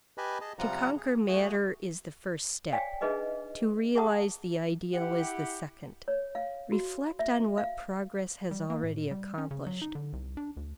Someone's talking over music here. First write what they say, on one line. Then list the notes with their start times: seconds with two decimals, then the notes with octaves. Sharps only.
To conquer matter is the first step; to realize the ideal is the second. Reflect on what progress has already accomplished.
0.18 G4 B4 D#5 G#5 A5 B5
0.41 G#4 D#5 A5
0.59 C3 F3 G3 F4 F#5 A#5
0.97 G#4
1.28 A3 F#4 G#4
2.72 C#5 D5 F5 G5 G#5
3.01 D4 D#4 G#4 B4 D#5 E5
3.95 G#4 E5 F#5 A5 A#5 D#6
4.94 E4 G4 F#5
6.08 C#5
6.35 F5
6.72 F#4
7.19 E5
7.58 F5
8.51 G3
8.70 A#3
8.83 A2
9.11 G3
9.38 C#4
9.51 C#3
9.67 F#3
9.82 D#4
9.95 D3
10.13 C2
10.37 D4
10.57 D2